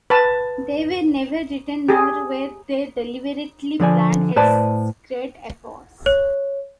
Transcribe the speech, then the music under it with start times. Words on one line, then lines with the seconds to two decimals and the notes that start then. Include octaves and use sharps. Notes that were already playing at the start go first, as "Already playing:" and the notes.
They were never written; nor were they deliberately planned as great efforts.
0.10 B4 A5
1.89 G4 G#4
3.80 D3 F3 D5 G#5
4.36 A2 B4 C5 D5 A5
6.06 C#5